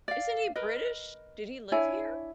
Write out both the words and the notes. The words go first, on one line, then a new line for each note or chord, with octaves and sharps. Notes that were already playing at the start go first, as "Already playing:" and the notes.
Isn't he British? Did he live here?
D5 F5
A#4 B4 D#5
D4 E4 C#5 G#5